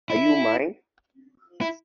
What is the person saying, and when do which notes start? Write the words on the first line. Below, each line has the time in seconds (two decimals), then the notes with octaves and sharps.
Are You Mine?
0.10 E4
1.61 E4